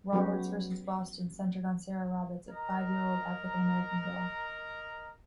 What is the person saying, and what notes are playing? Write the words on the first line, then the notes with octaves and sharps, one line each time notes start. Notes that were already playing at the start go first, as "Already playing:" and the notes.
"Roberts versus Boston" centered on Sarah Roberts, a five-year-old African-American girl.
F#3 G#3 B3 C#4 F#4 G4
A#4 D#5 A#5